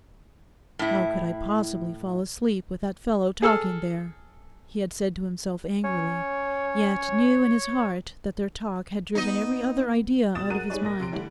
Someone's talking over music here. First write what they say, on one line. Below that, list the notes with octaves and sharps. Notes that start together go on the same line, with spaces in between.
'How could I possibly fall asleep with that fellow talking there?' he had said to himself angrily; yet knew in his heart that their talk had driven every other idea out of his mind.
A2 E4
G#4 A4 E6 F6
C#4 C#5
B3 D#4 D#5
B2 D#6 A6 E7
F#2 F#4 G#4 A#4 F#6 D#7
G3 D#4 G#4 C#5 D5
A#1 A#4 A#6
C3 C6 D7
D3 E3 G3 A3